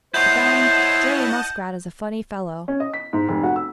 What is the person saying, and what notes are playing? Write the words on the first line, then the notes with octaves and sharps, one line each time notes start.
But then, Jerry Muskrat is a funny fellow.
E4 C5 C#5 D#5 F#5 A5 G6
C#4
D#5
B6
G#2
F1
F#4
E6